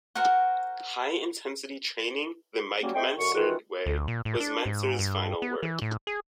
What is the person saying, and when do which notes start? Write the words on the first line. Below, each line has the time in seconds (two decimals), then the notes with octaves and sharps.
"High-Intensity Training the Mike Mentzer Way" was Mentzer's final work.
0.15 F#4 A#4 C5 F#5
2.82 F#3 G3 A#3 C#4
2.95 C4 A4 D#5 E5 G5
3.18 F#2 D3 C#6
3.35 D#3 E3 F4 F#4
3.86 D2
4.08 A#2
4.25 A2
4.40 D4
4.66 G#2
4.99 G2
5.42 B3
5.63 E3
5.82 A2
6.07 G#4